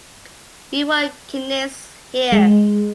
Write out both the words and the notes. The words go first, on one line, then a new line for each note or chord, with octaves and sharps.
We want keenness here.
G#3